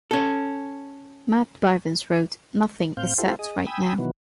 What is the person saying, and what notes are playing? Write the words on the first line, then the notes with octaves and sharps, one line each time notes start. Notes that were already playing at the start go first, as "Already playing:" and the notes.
Matt Bivins wrote, Nothing is set right now.
C#4 A4
A2 C4 F5 G6
E4 F4 G4 A4 C5
G#4 D#5
G5 G#5 B5 D#6 E6
B2 D#3 E3 F#3 B3